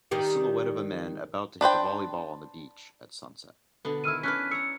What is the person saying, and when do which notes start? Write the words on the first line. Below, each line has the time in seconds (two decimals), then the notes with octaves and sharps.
A silhouette of a man about to hit a volleyball on the beach at sunset.
0.11 D#3 G3 G4
1.61 D4 B4 C5 G5
3.85 B2 D3 B3
4.04 D#3 E4 E6 F6 D#7
4.23 C#4 D4 B4 F6 F#6 B6
4.51 C#5 A#5 E6 C#7